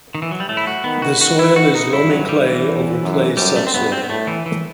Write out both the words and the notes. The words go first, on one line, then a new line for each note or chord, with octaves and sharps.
The soil is loamy clay over clay subsoil.
D#3
E3
F#3
G3
A2 A3
E4
F#4
D#3 B3
F#4
D#3 F#4
E4
F#4
D#4
G2 E4
F#3
G3
E3
E2
F#2
F#2 G3
A3
C4
G2 B3
C4
B3
A2 A3
E3
E3